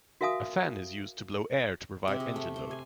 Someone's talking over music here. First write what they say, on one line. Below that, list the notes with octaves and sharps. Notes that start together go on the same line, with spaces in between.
A fan is used to blow air to provide engine load.
F#4 A#4 E5 F5 G#5 D#6
C3
G#4
A3
C5
G#5